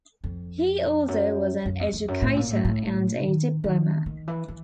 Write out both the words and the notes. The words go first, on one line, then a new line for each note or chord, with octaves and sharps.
He also was an educator and a diplomat.
F2
F#2
F#2
F2
F2
F#2
A2
A#2
A2
A2
D#3
D#3
D#3
E3
E3